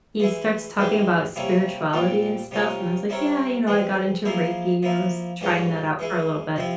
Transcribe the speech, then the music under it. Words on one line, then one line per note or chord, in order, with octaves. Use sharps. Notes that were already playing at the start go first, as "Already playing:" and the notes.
he starts talking about spirituality and stuff, and I was like, "Yeah, you know, I got into Reiki. I was trying that out for a little bit."
E3 G#3 E4
G#2 E3 G#3 E4 G4
C3 G3 A#3 C#4 E4
A#2 G3 C4 F4
C3 G3 C#4 F4 A#4
G3 C4 E4 A#4 C#5
E3 G#3 C4
F3 A#3 E4 G#4 C5
F3 A#3 E4
G#2 E3 G3 C#4 F4
E3 G#3 E4
C3 F3 C4 E4